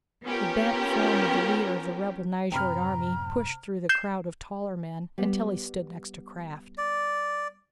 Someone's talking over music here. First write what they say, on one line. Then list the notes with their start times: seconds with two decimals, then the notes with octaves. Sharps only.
The bent form of the leader of the rebel Nyjord army pushed through the crowd of taller men until he stood next to Krafft.
0.24 B3 C#4 F4 G4 A#4
2.52 F#2 A2 C3 C5 G5 A#5 B5 F6
3.89 G6 G#6 C7 E7
5.18 G3 B3
6.78 D5